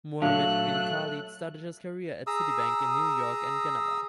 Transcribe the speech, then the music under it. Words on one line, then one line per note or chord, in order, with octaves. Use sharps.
Mohammed bin Khalid started his career at Citibank in New York and Geneva.
A#2 F#3 A3 D4 F5 F#6
G#4 A#5 D#6 E6